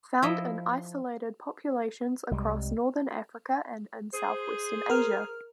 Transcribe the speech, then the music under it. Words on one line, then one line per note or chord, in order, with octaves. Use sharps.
Found in isolated populations across northern Africa and in southwestern Asia.
F3 E4 D#5 E5
C2 G3 G#3
G#4 C5
A#4 F6